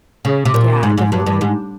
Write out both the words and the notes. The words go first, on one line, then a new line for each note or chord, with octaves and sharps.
Yeah, definitely.
C#3
C3
A#2
G#2
G#2
G2
G2
G#2